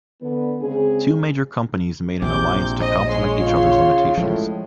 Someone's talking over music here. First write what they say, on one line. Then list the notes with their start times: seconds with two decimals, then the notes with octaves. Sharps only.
Two major companies made an alliance to compliment each other's limitations.
0.22 D3 B3
0.61 C#3 G#3 C4 G#4
2.22 A#1 C3 D6 G6
2.77 C5 D#5
3.10 G#3 C#5 C6
3.39 C#3 F4
4.18 A2 F3 G#3